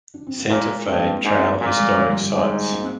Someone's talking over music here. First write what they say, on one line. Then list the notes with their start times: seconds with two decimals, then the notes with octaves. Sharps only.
Santa Fe Trail Historic Sites.
0.14 D4
0.27 C4
0.38 A#3
0.49 A#2 G#3
0.87 G2 A#3
0.99 D4
1.05 C4
1.24 G#2 D4
1.36 C4
1.48 A#3
1.61 A#2 G#3
1.80 G3
1.98 G3
2.09 G3
2.22 G3
2.34 G#2 G#3
2.72 A#3
2.82 C4